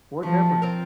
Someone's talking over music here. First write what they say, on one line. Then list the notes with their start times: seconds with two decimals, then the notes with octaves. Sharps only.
What happened?
0.22 F3 A3
0.62 C4 F4 A#4